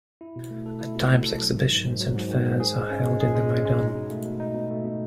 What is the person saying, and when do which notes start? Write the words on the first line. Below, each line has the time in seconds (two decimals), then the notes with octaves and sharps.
At times exhibitions and fairs are held in the maidan.
0.21 E4
0.36 B2
0.51 A3
0.66 A4
0.81 E4
0.95 B2
1.10 A3
1.26 A4
1.41 F#3
1.56 G#2
1.71 D#3
1.86 G#2
2.01 F#3
2.15 G#2
2.31 D#3
2.46 G#2
2.60 G#4
2.76 G#3
2.90 C#4
3.06 G#3
3.20 G#4
3.35 G#3
3.50 C#4
3.65 G#3
3.80 D#4
3.95 B2
4.11 A3
4.25 B2
4.40 D#4
4.55 B2
4.71 A3
4.85 B2